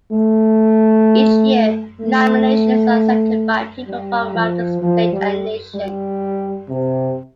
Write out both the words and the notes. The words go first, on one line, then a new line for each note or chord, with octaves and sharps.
Each year nominations are accepted by people from around the state and nation.
A3
A3
G3
F3
F3
G3
G3
C3